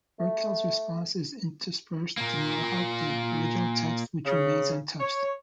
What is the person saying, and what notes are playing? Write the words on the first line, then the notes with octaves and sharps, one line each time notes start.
Birkel's response is interspersed throughout the original text, which remains untouched.
A3
A#2 A#3
C#3
C#5